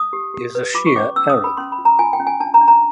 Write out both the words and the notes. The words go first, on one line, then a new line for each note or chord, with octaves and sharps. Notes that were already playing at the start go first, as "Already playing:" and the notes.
He is a Shia Arab.
Already playing: D#6
G4
G4
B4
F4 D6
C#6
C#4 D6
C#4 E6
D#6
C#4
B5
C#4 C6
B5
F4
A#5
F4 G#5
G5
C#4
G#5
D4 A5
A#5
D4
A#5